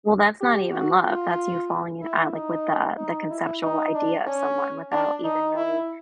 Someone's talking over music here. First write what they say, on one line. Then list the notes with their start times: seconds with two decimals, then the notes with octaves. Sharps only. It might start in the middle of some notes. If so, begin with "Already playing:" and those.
Well, that's not even love, that's you falling in at like, with the the conceptual idea of someone without even really
0.40 G4
0.72 F#4
1.05 F4
2.01 E4
2.34 D#4
2.98 D#4
3.30 E4
3.63 D#4
3.94 D4
4.27 C#4
4.92 D4
5.24 D#4
5.56 E4